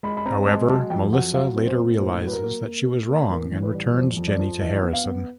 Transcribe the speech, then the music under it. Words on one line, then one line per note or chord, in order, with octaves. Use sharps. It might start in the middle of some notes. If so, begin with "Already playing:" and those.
However, Melissa later realizes that she was wrong and returns Jenny to Harrison.
G#3 B5
B5
C4 A#5
G#3 A5
F#3 A5
F2 G5
F#3 F#5
F#3 F5
C4
C5
A#2
A2 C5
F#3
B4
A#4
A#3
A#3
A#3
A#3
A1 A#4
A1
B4
G3
F2 C5
F2
D5
F3
E3 D#5
B3
F5
B3